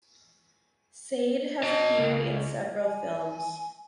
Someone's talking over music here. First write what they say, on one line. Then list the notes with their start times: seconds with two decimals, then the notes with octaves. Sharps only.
Sade has appeared in several films.
1.63 D#5 A5
1.97 C#2
2.83 G#5